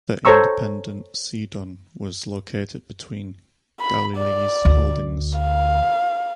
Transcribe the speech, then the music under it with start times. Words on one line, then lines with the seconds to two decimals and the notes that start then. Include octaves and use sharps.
The independent Sidon was located between Galilee's holdings.
0.25 A4 C5 C#5 A#5 C#6 E6
3.80 B5
4.18 D5
4.65 D2
5.39 F5